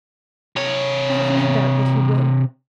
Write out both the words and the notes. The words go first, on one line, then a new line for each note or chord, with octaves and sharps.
I have no doubt that he will.
C3 C#5